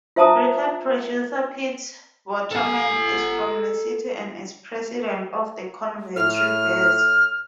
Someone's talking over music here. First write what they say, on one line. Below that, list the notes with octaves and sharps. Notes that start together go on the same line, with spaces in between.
Record producer Pete Waterman is from the city and is president of Coventry Bears.
F4 C5 E5 A5 A#5 D#6
A4 G#5
A2 F6